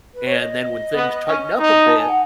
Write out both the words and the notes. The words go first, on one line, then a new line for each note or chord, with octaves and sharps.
and then when things tighten up a bit,
B4
C#5
D#5
B3
C#4
D#4
A5
G#5
F#5